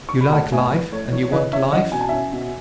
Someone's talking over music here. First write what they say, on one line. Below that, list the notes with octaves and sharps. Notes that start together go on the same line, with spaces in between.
"You like life, and you want life?"
B2 C#6
B5
A3 F#5 A5
A2 E5 G#5
E3 B4
A3 C#5
E3 C#5
C#5
E3 B4 D#5
C#4 C#5 E5
E3 D#5 F#5
B2 G#5
A5
C#4 E5 G#5
B2